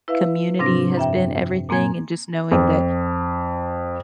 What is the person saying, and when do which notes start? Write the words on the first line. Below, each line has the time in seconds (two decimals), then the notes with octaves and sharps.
community has been everything, and just knowing that
0.08 E4 B4 E5 F5
0.59 G#2 C3 F3 C4 D4 A#6
0.97 F#2 E5 G5
1.69 A#2 A#3 C4 G#5 G#6
2.51 F2